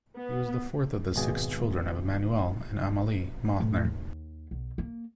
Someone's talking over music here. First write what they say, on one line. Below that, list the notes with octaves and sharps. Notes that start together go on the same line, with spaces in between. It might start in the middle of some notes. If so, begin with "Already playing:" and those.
He was the fourth of the six children of Emmanuel and Amalie Mauthner.
B3
G#1 B2 G#4
A2
D#2
B1
A#3